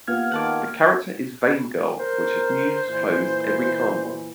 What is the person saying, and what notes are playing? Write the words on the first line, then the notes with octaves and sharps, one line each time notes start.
The character is vain girl which has news clothes every carnival.
A#3 B3 F4 G4 F6 G#6
D#3 F#5 A5 D6
A#4 C5
A#2 E3